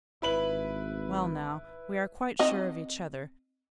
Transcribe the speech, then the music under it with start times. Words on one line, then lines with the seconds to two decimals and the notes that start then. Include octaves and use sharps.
'Well now, we are quite sure of each other.
0.22 G#1 E4 B4 F#7
2.39 C4 D#4 D#5